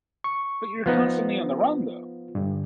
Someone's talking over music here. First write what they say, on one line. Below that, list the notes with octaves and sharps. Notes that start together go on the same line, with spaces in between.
But you're constantly on the run, though.
C#6
F3 B3 D#4 F4
G2 D3